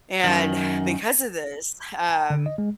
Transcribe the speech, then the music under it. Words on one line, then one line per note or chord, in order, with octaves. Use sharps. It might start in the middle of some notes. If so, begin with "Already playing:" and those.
and because of this, um,
F#2 D#3
A5
D3
D#5
G#3